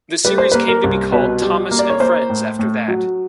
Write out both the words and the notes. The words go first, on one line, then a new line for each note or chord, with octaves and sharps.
The series came to be called Thomas and Friends after that.
G3 B4
C5
A#3 B4
A#4
C2
B2 B4
G3
A#3
D5
C#5
A#3 C5
A2
A2
F#3